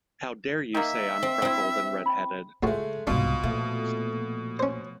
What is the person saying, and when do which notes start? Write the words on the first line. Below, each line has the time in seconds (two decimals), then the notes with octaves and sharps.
How dare you say I’m freckled and redheaded?
0.75 D#3 A#3 E5
1.23 C4
1.42 C4 E4
2.06 G5 B5
2.63 A2 C#3 G#3 A3 F4 F#4
3.07 C2 G#2 B2 D4 F4
3.44 A#2 F3 A3
4.59 C#4 C5